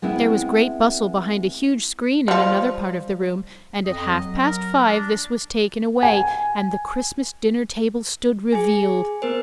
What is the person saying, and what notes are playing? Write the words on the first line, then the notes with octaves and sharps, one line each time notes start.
There was great bustle behind a huge screen in another part of the room, and at half-past five this was taken away, and the Christmas dinner-table stood revealed.
G#3 B3 C4 E4
F3 G3
F2 D#5
F#3
A#4
D4
G#5
G#4 G#5
B3 A#4 C5